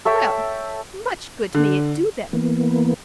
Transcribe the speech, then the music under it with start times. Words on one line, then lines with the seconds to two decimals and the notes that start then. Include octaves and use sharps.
Well, much good may it do them!
0.05 A4 C#5 E5 G5
1.54 D3
2.33 E3 A#3 B3